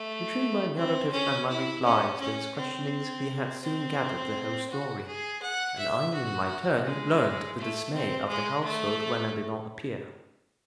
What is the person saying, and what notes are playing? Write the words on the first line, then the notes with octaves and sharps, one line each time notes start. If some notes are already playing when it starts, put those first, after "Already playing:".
Between my narrative and my replies to his questionings he had soon gathered the whole story, and I in my turn learned the dismay of the household when I did not appear.
Already playing: A3
C4
C#4
E4
C#4
C#4
C4
C4
F#4
G#4
F#5
E5
F#4
G#3
A3
C4
G#3
A3